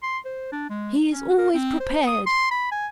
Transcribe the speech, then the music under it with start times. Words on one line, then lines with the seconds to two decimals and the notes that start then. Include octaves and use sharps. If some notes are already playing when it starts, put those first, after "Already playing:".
'He is always prepared!
0.03 C6
0.25 C5
0.52 D4
0.70 G#3
1.11 C#4
1.38 A#4
1.54 C4
1.80 C5
2.07 D#6
2.26 C6
2.51 B5
2.72 G#5